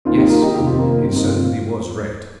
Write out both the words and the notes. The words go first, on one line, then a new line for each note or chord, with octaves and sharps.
Yes! it certainly was red!
D#2 D#3 A#3 C4 F4
D#4 G4
F4 A#4
D#4 G4
F1 D#2 D#3 D#4 G4
C4 F4
A#3 D#4
A#3
G1 G2 G3 A#3 C4
A#3 D#4
C4 F4